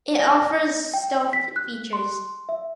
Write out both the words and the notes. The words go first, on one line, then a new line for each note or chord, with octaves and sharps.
It offers stealth features.
A#6
G5
B6
F#6
C6
E5